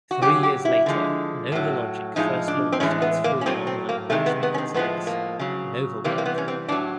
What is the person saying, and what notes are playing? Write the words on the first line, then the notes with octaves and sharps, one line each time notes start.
Three years later, NovaLogic first launched its free online matchmaking service, NovaWorld.
F#4
C#3 F#3 G4
G4
E4
D3 F3 G#3
A2 F#3
A2 F3 G#3 D#4
D4
C4
A2 E3 G#3 C#4
B3
A#3
C#4
A2 F#3 C4
C4
A#3
C3 D#3 G#3 A3
B3
B3
C#4
C4
A2 F3 G#3 B3
A#3
C#3 F#3
C3 E3 G3 A#3
A#3
B3
C#4
C4
A2 F#3 D4